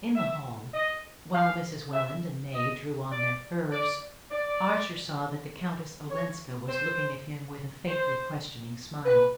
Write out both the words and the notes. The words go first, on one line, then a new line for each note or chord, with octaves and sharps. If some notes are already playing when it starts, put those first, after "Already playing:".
In the hall, while Mrs. Welland and May drew on their furs, Archer saw that the Countess Olenska was looking at him with a faintly questioning smile.
E5
D#5
F5
E5
D#5
D5
D5
D5
C#5
C5
C5
B4